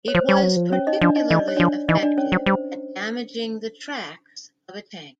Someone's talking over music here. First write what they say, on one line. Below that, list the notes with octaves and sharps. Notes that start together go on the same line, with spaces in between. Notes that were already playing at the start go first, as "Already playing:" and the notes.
It was particularly effective at damaging the tracks of a tank.
C#5
F3 C5
G3 C5
F#3
F3
F#3 C#4 C#5
D#4 D#5
F3 D4 D5
D#4 D#5
E3 D#5
D5
C#5
F3 D4 D5
E3 D#4 D#5
D4 D5
C#4 C#5
F#3 C5
G3 C5